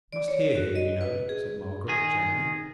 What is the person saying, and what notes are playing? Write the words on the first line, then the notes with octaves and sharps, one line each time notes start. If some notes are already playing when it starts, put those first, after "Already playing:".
"I must hear him, you know," said Margaret, gently.
D5
C#5
F#4
D#5
B4
G#4
D#3 G#4